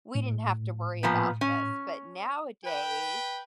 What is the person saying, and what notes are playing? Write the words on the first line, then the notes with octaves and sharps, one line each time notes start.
We didn't have to worry about this, but nowadays
A2
A#2 F3 B3
C#4
B4 G5